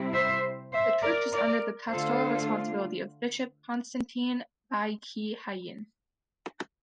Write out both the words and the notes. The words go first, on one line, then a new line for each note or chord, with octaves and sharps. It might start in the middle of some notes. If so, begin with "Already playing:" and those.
The church is under the pastoral responsibility of bishop Constantine Bae Ki-hyen.
Already playing: C3 G3 C4 E4
C5 E5
C5 E5
A#4 D5
A#4 D5
D3 A3 D4 F4 A4 C5